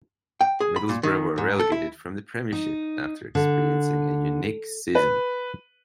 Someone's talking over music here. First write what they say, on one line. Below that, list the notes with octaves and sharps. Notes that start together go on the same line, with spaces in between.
Middlesbrough were relegated from the Premiership after experiencing a unique season.
G5
G#4
B5
A#2
D#3
G#2
A4
E4
D#4
D3
B4